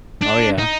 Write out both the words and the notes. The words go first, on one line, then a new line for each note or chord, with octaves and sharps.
Oh, yeah.
D4
D#4